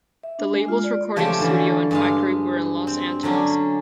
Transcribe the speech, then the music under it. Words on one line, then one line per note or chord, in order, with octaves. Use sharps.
The label's recording studio and factory were in Los Angeles.
E5
D4
G#3
F4
D5
C#3 F3 A3 G4 C#5 G5
D3 E3 C#4
G2 G#3 F5
C4
D3 F#3 C#4 D4